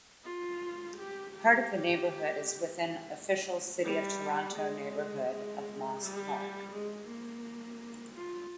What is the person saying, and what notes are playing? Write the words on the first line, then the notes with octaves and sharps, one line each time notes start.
Part of the neighbourhood is within official City of Toronto neighbourhood of Moss Park.
F4
G4
G4
G3
G#3
G#3
G3
G#3
A#3
F4